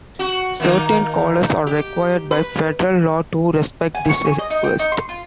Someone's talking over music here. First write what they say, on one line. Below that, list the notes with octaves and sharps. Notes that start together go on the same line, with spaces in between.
Certain callers are required by federal law to respect this request.
F#4
D#3 A#3 D#4
G4
B4
G#5
C#6
G#5
D#5
D#4
G5
D#4
C6
F4